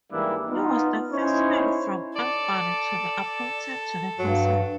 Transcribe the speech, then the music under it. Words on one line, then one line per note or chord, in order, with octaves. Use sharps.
He was the first man from Albany to be appointed to the council.
G#2 E3 G3 A#3 D4 E4
B3 D#4 F4
C#4 D#4 E4 C5 C#5
A4 D5
G2 F#3